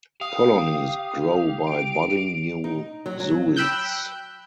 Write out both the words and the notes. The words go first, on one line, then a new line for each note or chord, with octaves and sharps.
Colonies grow by budding new zooids.
G4 F5 D#6
D7
D#4
F#3
F#3
G5 B5 E6 F#6 G6